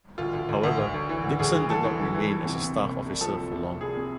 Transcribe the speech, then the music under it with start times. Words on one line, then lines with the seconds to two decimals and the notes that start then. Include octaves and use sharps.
However, Dickson did not remain as a staff officer for long.
0.18 D2 F4
0.33 D2
0.49 D2
0.64 D2
0.79 D2
0.94 D2
1.09 E3
1.24 D2
1.39 D2 G#4
1.54 E3
1.70 D2 A4
1.84 E3
2.00 D2
2.14 E3
2.30 E3
2.45 C3
2.60 C3
2.76 C2
2.90 C3
3.06 C2
3.21 F3 A4
3.36 C3
3.51 C3
3.66 F3
3.81 C2 G#4
3.97 C3